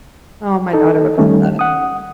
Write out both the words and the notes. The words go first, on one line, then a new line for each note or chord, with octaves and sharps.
Oh, my daughter would love that.
D#4 A4
D#3 G3 A3 C#4 D#4
F#5 D#6